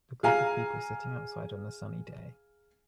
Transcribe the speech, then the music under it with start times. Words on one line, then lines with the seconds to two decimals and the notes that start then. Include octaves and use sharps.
A group of people sitting outside on a sunny day.
0.23 G#4 F5 G#5 A#5